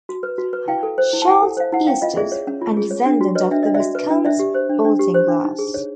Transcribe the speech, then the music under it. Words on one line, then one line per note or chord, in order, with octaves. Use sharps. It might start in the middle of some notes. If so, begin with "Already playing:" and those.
Charles Eustace and descendant of the Viscounts Baltinglass.
F#4
B4
F#4
B4
E4 F5 G5
A4
C5
E4
A5
E4 F#5 G#5
A4
C5 F5
E4 F#5
C#4 F5 G5
F4 D#5 F5
G#4 D5 E5
C#5
C#4
F4
G#4
C#5
D4
F#4
B4 C#5 D#5
D4 E5
D4 D#5
D5 E5
F#4
B4
D4
D4 D5 E5
G4
C5
D4
D4
G4
C5
D4
D#4
G#4
C#5